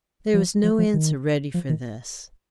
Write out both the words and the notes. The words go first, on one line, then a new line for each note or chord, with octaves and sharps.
There was no answer ready for this.
F3
F3
F3
D#3
F3
D#3